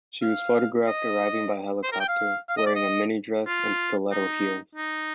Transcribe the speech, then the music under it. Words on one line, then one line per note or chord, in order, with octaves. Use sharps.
She was photographed arriving by helicopter, wearing a mini-dress and stiletto heels.
F5
D#5
C5
A#4
G5
F5
F5
D#5
D5
D#5
F4
D#4
D#4